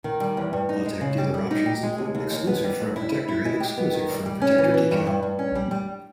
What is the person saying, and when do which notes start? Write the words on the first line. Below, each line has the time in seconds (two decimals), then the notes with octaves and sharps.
Autech dealer options include an exclusive front protector and exclusive front protector decal.
0.04 D#3
0.20 G3
0.37 E2
0.53 G2
0.69 D#4
0.85 G#3
1.01 C#3
1.18 G3
1.34 G3
1.51 D#4
1.66 G4
1.83 G#3
1.98 D#2
2.15 D#2
2.31 D#2
2.47 B3
2.64 G3
2.80 D#2
2.96 E4
3.12 E4
3.29 E4
3.45 G#3
3.60 G4
3.77 B3
3.94 D#3
4.10 G3
4.26 G3
4.42 C#4
4.58 E3
4.74 E3
4.91 G2
5.07 G2
5.23 G2
5.39 C#4
5.55 G3
5.71 G3